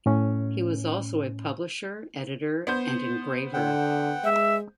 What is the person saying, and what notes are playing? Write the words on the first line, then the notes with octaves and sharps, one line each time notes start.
He was also a publisher, editor and engraver.
A2 C#4
B3 C5 G6
D3 F#5 G5
G#3 E5